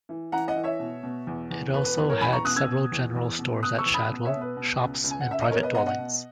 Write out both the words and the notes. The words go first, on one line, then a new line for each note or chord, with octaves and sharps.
It also had several general stores at Shadwell, shops, and private dwellings.
E3
E3 F#5 A#5
D#5 F#5
E3
C#5 E5
B2
B2
E2
E2
B2 B4
B4
E2 B4
A#4 C#5
E2 G#5 B5
A#5 C#6
B2 D#6 F#6
E6 G#6
B2
E2
E2
B2
B2 D#6 F#6
C#6 E6
E2
B5 D#6
B2
C#5 E5
B2
B4
B2
C#2
C#2
G#5
F#5
C#2 E5
D#5
B2 A#4 C#5
B4 D#5
B2 D#5 F#5
D#5 F#5
B2